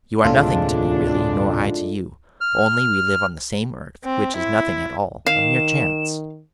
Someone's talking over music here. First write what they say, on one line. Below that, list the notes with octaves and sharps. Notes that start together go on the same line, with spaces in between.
You are nothing to me, really, nor I to you, only we live on the same earth, which is nothing at all--a mere chance.
D2 A2 C3 G#3 D4 F4 A4
F6
C4
E4
D#3 F5 E7